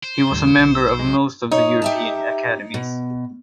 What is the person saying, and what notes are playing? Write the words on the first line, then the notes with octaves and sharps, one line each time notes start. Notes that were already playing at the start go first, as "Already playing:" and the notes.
He was a member of most of the European academies.
C5
D#2 A2 G3
B1
E6
F#3 G#3
D#4 C#5
G4 E5 A5
B2